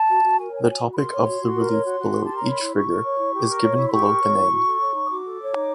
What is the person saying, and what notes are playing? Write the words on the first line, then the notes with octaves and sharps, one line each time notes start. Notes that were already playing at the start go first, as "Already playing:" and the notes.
The topic of the relief below each figure is given below the name.
Already playing: A5
F#4
F#4
A#4 G#5
C#5 G#5
G5
F#4 G#5
F#4
B5
A#4 C6
C#5
F#4
F#4
A#4
C#5
F#4
F#4
G4
A5
A#4
A#5
C#5
B5
E4 C6
G4 C#6
A#4
C#5
E4
G4
A#4
C#5
E4
C6
G4 C#6
A#4
C#5
E4
F#4
A4
C#5
D#4
D#6
F#4 D6
A4
C#5
D#4